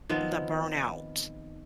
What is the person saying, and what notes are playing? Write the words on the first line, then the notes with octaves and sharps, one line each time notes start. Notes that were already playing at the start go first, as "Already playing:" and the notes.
the burnout
D#3 F3 B3 C4